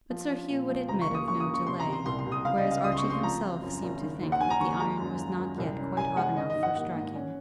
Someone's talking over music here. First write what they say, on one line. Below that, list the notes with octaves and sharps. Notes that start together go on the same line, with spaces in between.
But Sir Hugh would admit of no delay, whereas Archie himself seemed to think that the iron was not yet quite hot enough for striking.
F3
F3
A#2
F3
C#2 A#5
C#6
A#3
D#6
C#3 C#6
D#6
C#2
C#6
C3 C6
A#5
C3
C6
C2 C6
C6
C2
D#6
C#2 F5
D#5
C#3
F5
C#2 D#6
C6
C#6
C4
C6
F3 A#5
F3
F#2
F#1
D#3
D#2
F#5
D#3 G#5
A#5
D#2 C#6
G#3 A#5
F#2
F3
F#2
C2
C#4
C2 G#5
G#3 F#5
D#3 D#5
D#5
G#2
F#5
A#3 F#5
G#2
C#4